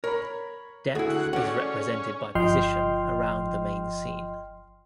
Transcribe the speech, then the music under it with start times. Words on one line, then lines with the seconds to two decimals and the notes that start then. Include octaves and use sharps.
Depth is represented by position around the main scene.
0.04 A#4 C#5 A#5 B5
0.95 D2 A3 E4 F#4 G#4
1.09 F#5
1.33 C#4 D5 F#5
2.35 G1 F3 D#5 G5 C6 F6